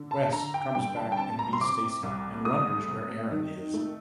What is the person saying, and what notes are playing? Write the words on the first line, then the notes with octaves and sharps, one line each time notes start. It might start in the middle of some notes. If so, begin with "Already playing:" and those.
Wes comes back and meets Stacy and wonders where Erin is.
Already playing: D3
A5
D3 A#5
G5
G2 G5
A5
G5
C4 A5
A#5
C6
C3 D6
C2
A3 D#6
C3
D#3
A3